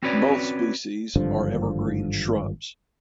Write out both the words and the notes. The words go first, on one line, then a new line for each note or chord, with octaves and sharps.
Both species are evergreen shrubs.
C4 C#4 F#4 B4 C#5 D5
G#1 G2 D3 F3